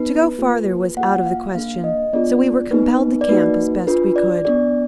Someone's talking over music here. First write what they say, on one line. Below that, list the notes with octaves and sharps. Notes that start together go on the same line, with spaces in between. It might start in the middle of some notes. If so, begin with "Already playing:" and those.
To go farther was out of the question, so we were compelled to camp as best we could.
Already playing: B3 D#4 B4
A#3 F4 G#4
A#3 F4 G#4 F#5
F5
A#3 D4 G#4 F5
D#5
B3 D4 F4 G#4 D5
B3 D#4 G#4 B4
D5
A#3 D#4 F#4 B4
D4 F4 G#4 B4
D5
B3 D4 G#4 D5